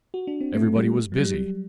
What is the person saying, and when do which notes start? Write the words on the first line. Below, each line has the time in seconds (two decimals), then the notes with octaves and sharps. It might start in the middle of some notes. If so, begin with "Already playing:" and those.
Everybody was busy.
0.14 F#4
0.27 D4
0.41 C4
0.55 A3
0.76 G3
1.12 F#3
1.18 G3